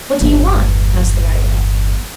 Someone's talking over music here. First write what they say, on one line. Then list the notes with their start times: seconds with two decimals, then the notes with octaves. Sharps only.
"What do you want?" asked the Marionette.
0.20 G1 E2